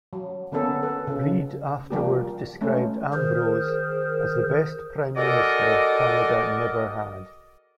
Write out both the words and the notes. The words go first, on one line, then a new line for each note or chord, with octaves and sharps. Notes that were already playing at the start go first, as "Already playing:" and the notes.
Reid afterward described Ambrose as the best prime minister Canada never had.
F#3
D3 A#3 B3 C#4 A4
A4 B4
C#3
F3 G3 A#3 G4
G#3 A3 C#4
D#3 G#4 A#4 C5
G#3 F#4 A4 A#4 D5 D#5